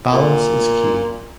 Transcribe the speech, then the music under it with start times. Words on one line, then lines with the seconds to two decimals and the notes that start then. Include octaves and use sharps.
Balance is key.
0.13 A#2